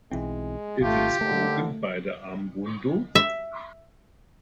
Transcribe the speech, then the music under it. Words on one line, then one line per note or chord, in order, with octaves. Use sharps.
It is spoken by the Ambundu.
B1 E3 G#3 C4
G#1 A3 F4 G4
D#2 D3 A3
E5